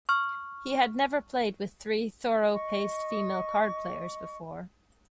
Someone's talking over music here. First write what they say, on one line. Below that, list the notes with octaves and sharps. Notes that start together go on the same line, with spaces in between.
He had never played with three thorough-paced female card-players before.
C#6 F6
D#5 C#6